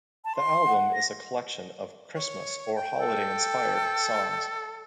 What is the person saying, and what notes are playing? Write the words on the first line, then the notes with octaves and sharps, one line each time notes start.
The album is a collection of Christmas or holiday-inspired songs.
A5
C6
F#5
A#6
C#5
G5
A4